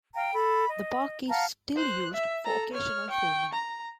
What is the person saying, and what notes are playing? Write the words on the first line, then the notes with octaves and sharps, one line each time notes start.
The park is still used for occasional filming.
F5 G5 A#5
A4 B5
D#5
F5 F#5 A5 A#5
C5 F#6
E5
A4 A#5
C#5 F6
G5 C#6
A#5